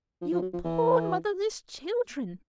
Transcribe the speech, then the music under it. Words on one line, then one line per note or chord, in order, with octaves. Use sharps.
'You poor motherless children!
F3
F3
F#3
F3
E3